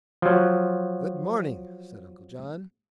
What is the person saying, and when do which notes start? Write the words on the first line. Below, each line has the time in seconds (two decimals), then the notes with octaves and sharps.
"Good morning," said Uncle John.
0.22 F3 F#3